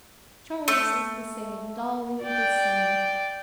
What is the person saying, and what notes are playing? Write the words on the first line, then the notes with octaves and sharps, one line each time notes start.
Charles is the same, Dolly the same.
A3
D5 G5